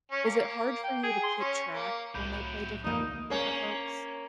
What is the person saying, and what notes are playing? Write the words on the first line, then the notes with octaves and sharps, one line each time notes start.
Is it hard for you to keep track when they play different different folks?
C#4
A#3
G5
G#4
C6
C#4
A#3
C2 A2 F#3 B5 G6
D2 A#3 D#4
A#3 C#4